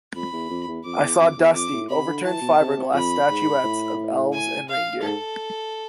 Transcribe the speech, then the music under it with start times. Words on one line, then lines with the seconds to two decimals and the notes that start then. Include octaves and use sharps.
I saw dusty, overturned fiberglass statuettes of elves and reindeer.
0.15 F2 B5
0.33 E2
0.50 F2
0.68 E2
0.85 F2 D6
1.02 E2
1.20 F2
1.37 E2
1.55 F2 D6
1.72 A2
1.90 C3 B5
2.07 D3
2.24 E3 A5
2.42 B2
2.60 C3
2.76 C3
2.93 F2 B5
3.29 G#2
3.64 A2
4.33 G#5
4.68 F5
5.02 G#2 A4